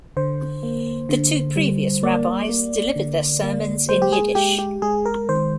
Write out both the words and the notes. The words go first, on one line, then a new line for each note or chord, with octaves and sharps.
The two previous rabbis delivered their sermons in Yiddish.
D3 C5
A#3
D3
G3
A#3 D5
A#3
D3
A#3
G#3 C5
G4
G#4
G#3 G4
G4
G#3 G#4
A#4
D#3 C5